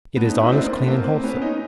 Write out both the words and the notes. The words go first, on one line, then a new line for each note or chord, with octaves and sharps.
It is honest, clean, and wholesome.
A3 B3
C#4 D#4
E4 F#4
D#4
C4 D4
A#3 C4
A3 B3
A#3 C4
C4
B3 C#4
C#4 D#4